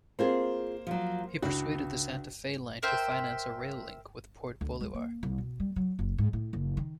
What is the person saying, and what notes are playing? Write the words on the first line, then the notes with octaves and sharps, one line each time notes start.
He persuaded the Santa Fe line to finance a rail link with Port Bolivar.
A#3 C4 F4 G#4 C5
F3 F#3
C#2 D4 F#4
A#4 C5 E5 G5
D2
G#3
A#3
C2
B2
G3
F#3
F#1
G#2
A2
F#1
D#3